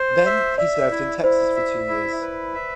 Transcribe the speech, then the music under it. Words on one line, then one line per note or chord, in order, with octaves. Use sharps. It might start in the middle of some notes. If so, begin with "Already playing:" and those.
Then he served in Texas for two years.
Already playing: C5
E5
D5 E5
E4
E4 C5
E5
E4
B4
E5